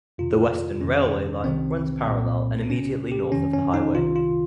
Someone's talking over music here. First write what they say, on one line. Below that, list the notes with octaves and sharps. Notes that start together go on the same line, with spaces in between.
The Western railway line runs parallel and immediately north of the highway.
F2 C3 D#3 F4
F2 C3 D#3 C#4
C2 C3 D#3 C4
C2 A#2
C#2 C#3 C#4
G4
F2 C3 D#3 C#4
C#4
D#4
C2 C3 D#3 F4
F4